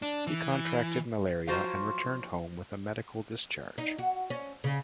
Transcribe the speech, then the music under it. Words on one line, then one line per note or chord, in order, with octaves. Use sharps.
He contracted malaria and returned home with a medical discharge.
D4
E3
F3 F#3 F4 F#4 C5 F5
D#4
F#4
C#4
C#3